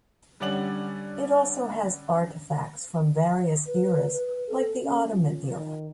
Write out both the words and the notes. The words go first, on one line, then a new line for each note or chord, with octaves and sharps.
It also has artefacts from various eras like the Ottoman Era.
D3 G3 C#4 D5 F#5 F#7
B4
B4
A4
C#4
F4
D#3